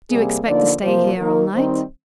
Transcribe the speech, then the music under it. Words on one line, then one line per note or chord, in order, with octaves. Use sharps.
"Do you expect to stay here all night?"
C3 G3 A#3 G#4
D3 F3 A#3 D#4 D5
C3 F3 A#3 C5
D#3 A#3 D#4 A#4
D#3 G3 C4 D#4 C5